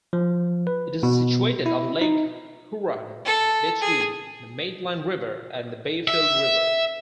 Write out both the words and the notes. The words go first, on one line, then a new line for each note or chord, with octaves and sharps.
It is situated on Lake Huron between the Maitland River and the Bayfield River.
F3
B4
B2
E4
D#4
A4
G#4
E5